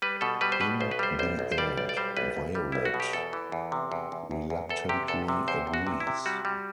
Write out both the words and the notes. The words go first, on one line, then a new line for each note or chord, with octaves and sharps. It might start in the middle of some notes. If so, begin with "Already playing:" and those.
In the end, Violet reluctantly agrees.
G3 B4
B2 A4
G3 B4
C5
B2 B4
B1 C5
B4
G3 C5
B1 C5
B1
C5
G3 D5
B1 D5
D5
G3 C5
B1 B4
B1
G3
B1 E4
F#4
B2
G4
E2 A4
E3
E2
C3
E2
E2
E2
E2
E2 A4
C3 G4
E2 A4
C3
E2 C5
E2
F#4
C3
E4
C3
G3 F#4
G3